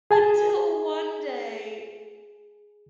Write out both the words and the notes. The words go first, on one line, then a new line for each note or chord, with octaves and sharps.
Until one day,
G#4 G#5 A5